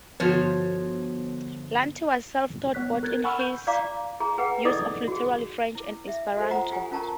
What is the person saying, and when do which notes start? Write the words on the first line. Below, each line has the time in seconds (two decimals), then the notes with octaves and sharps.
Lanti was self-taught both in his use of literary French and Esperanto.
0.20 G1 F3 F#4 C5 C#5
2.74 B3 C#5 F#6 B6
3.03 A#4 F#6 G#6 A6
3.24 F#5 G#5 B5 C#6 E6 F6
3.40 G6
3.67 D5 F5 A#5 D6
4.20 G#4 A#5
4.38 G#4 B4 F#5 G5
4.65 D#4 A4 D5 D#5 D6 D#6
5.08 F#4 G#4
5.75 E4 D6
6.08 E5
6.36 F#4 A4 C5
6.51 F4 F#5 A#5 D#6
6.72 F4 G4 F#5 G#5 D#6
6.91 C#4 F4 A#4 A5 A#5 C#6